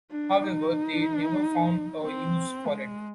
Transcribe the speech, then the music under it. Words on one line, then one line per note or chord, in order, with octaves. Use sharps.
However, they never found a use for it.
D4
D#4
C4
G#3